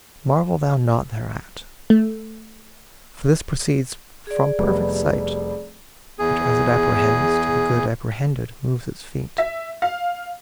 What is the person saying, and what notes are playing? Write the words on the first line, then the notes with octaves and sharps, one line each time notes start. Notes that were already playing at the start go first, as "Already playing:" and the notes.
Marvel thou not thereat; for this proceeds From perfect sight, which as it apprehends To the good apprehended moves its feet.
A3
G#4 D5
F1 G3 B3
E2 G#4
E5
F5